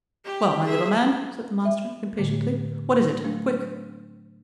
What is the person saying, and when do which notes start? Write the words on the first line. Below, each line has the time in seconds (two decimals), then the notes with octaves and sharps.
"Well, my little man," said the master, impatiently, "what is it? quick!"
0.25 G4
0.63 G#4 E5
1.65 E5
2.18 A2 D3 A3
3.24 F#3 A3 D4